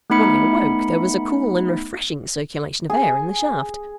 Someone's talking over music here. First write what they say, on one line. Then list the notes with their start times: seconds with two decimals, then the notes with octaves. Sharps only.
When I awoke, there was a cool and refreshing circulation of air in the shaft.
0.10 A3 B3 D#4 B5 C#7
2.90 G#4